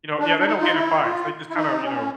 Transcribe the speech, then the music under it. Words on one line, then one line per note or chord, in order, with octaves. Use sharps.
you know yeah, they don't get in fights, they just kinda, you know,
D4
D4
D#4
F4
E4
F4
E4
D#4
C4
C#4